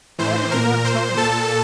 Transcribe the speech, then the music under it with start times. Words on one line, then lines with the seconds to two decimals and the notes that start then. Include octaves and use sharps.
"Why did you not tell me?"
0.19 A2 E3 C5
0.51 A#2 A#4
0.84 A#2 C5
1.17 A#2 A4 A5